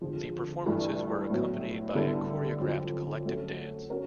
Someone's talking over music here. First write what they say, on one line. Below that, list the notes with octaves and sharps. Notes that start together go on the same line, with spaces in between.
The performances were accompanied by a choreographed collective dance.
F2 D3 F3 G#3
G2 E3 A3
A2 F#3 B3
D3 G3 B3 E4 A4
F2 D3 F#3
F#3 A3 C#4 F#4 A4
C#4 F#4 A#4